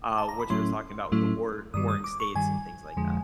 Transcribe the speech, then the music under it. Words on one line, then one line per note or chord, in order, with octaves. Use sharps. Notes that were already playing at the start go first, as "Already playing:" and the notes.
uh, what you were talking about with the war warring states, and things like that?
A5
A#5
B5
A2 F#3 A3 C#4 E4 C6
A2 F#3 A3 C#4 E4
G2 D#3 G3 D#6
D#6
D6
C#6
G2 D#3 G3 G#5
F2 D3 F3 G#3